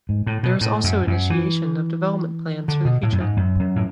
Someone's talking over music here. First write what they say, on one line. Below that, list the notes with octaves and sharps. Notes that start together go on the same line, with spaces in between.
There is also initiation of development plans for the future.
G#2
A2
B2
A2
F#2
F#2
E3
D3
B2
A2
F#2
G#2
F#2
F#2
A2